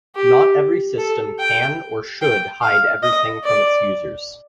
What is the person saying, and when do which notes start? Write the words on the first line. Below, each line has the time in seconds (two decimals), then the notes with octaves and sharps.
Not every system can or should hide everything from its users.
0.16 G4
0.99 A4
1.39 G5
2.22 G5
2.62 F5
3.03 D#5
3.44 D5